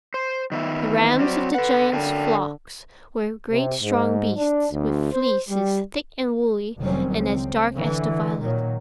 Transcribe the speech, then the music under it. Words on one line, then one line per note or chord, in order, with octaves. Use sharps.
The rams of the giant's flocks were great strong beasts, with fleeces thick and woolly, and as dark as the violet.
C5
D#3 B3 E5
E3
F#3 C4 D5
A4 B4 F#5
D3 A#4 G5 A5
C3
G#2
D4
D2
C5
G3
F1 D#3 F#3 G3 C4 C#4
C#2 C4
D3 E3
A#2 D#3 F#3